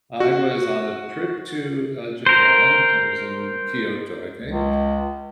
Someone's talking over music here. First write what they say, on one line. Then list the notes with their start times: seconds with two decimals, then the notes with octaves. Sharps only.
I was on a trip to, uh, Japan, I was in Kyoto, I think,
0.20 F#4
2.26 A#4 C5
4.44 C#2